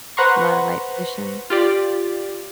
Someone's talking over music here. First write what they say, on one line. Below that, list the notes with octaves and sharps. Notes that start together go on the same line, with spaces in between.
Lotta light pollution?
B4 C5 F#5 A#5 C6 C#6
F4 G4 D5